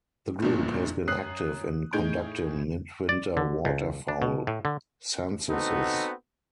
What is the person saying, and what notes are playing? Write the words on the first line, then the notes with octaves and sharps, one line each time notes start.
The group has been active in conducting mid-winter waterfowl censuses.
G1 G2 A#2 F3
F#2 C#4 D#6 F#6 C7
A2 D#4 G#4 G6 D7
D5
D3
C#2
D4
B2
A2
D3
B3 C4 D#4 F#4 A4